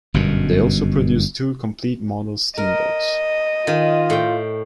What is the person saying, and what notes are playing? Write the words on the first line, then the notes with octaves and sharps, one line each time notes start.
They also produced two complete model steam boats.
G1 F#2 B2
A#4 D#5
D#3 F4
A2 G5